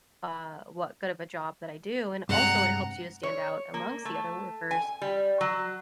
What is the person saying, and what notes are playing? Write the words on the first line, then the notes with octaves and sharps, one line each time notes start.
uh, what good of a job that I do." And, also, it helps you to stand out amongst the other workers.
G2 C3 G#3 F#5 A#5
C#5
A#3
A3
G#5
G3
F#3